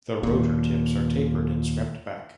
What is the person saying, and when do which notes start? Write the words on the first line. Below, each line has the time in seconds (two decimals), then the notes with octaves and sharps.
The rotor tips are tapered and swept back.
0.23 D#2 A#2